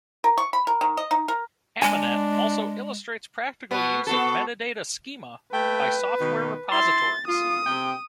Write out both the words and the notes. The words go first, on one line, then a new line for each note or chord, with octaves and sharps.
Aminet also illustrates practical use of metadata schema by software repositories.
A#4
C#6
B5
A#4
D#3
D#5
D#4
A#4
G#3 D4 G#5
B2 B3 B4
B3 F#4 A4
A3 A#3 B4 G5
B2 D#3
E4 C6 A6
F4 D#6
C3 G5